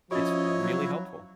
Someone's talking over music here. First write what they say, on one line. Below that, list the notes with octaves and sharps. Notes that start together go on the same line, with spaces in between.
It's really helpful.
F3 C#4 E4 F#4 C#5 D#5
F#3